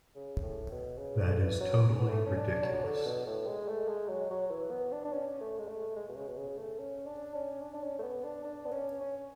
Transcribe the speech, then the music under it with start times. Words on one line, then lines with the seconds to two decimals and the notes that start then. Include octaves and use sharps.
That is totally ridiculous.
0.15 C#3
0.43 A2
0.71 B2
0.98 C#3
1.20 D3
1.40 E3
1.60 F#3
1.89 C#4
1.99 B3
2.10 A3
2.26 C#4
2.37 D4
2.64 F#3
2.84 D3
3.06 B2
3.26 A2
3.47 G#3
3.69 A3
3.88 G#3
4.09 F#3
4.30 F#3
4.51 E3
4.71 B3
4.92 D4
5.05 D4
5.12 C#4
5.41 A3
5.59 G#3
5.68 A3
5.96 G#3
6.09 B2
6.16 C#3
6.28 B2
6.37 C#3
6.58 A3
6.79 C#4
7.06 D4
7.35 C#4
7.61 D4
7.74 D4
7.83 C#4
7.99 A3
8.03 B3
8.23 D4
8.45 D4
8.65 B3
8.72 C#4
9.00 C#4